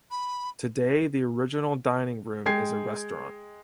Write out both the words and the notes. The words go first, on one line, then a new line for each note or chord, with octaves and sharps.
Today the original dining room is a restaurant.
B5
G#3 G5 G#6 C7